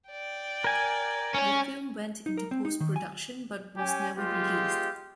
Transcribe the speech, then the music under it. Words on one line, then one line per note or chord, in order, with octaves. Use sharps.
The film went into post-production but was never released.
D5 G5
A#4 G#5
C#4 C#5
D#4
A#4
C4
D#4
D#3
G#5
C#4 G4 G#5
G#3 B3 F4 G4